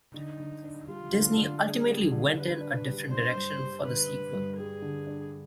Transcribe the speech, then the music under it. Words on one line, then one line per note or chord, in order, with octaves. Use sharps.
Disney ultimately went in a different direction for the sequel.
D3 D#4
D3
D4
G3 F4
D3
D3
D4 G#4
G3
D3
D3 B4
D4
G3
D4 C5
G2
G3
D3 B4
D4
G2
G3 G#4
D3
D4